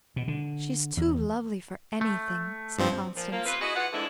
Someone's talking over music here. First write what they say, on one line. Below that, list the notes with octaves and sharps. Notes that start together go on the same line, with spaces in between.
"She's too lovely for anything!" said Constance.
B2
D3
E2
A3
G2 F3 C4
A#2 F3
F3 A#3
C3 C4 F4 B4
E4 F#4 G#4 D#5
E3 F4 B4 F#5
F2 D3 E3 G#3 D4 E4